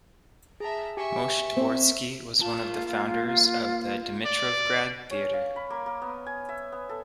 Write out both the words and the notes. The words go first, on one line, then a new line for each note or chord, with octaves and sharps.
Moshe Dvoretzky was one of the founders of the Dimitrovgrad Theatre.
G#4 E5 A5 A#5
G4 E5 G#5 C#6 C#7
C4
A#3 F4 A5
D5
C#4
F5
B5
A#3
A#3
B3
G#5
E5
B3
A4